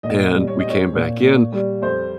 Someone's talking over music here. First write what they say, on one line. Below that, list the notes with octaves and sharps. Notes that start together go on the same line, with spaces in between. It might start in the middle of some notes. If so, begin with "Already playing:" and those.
And we came back in,
A#2 D#5
G3
C#5
C4 D#5
C#5
A#2
A#2
G3
F2 C5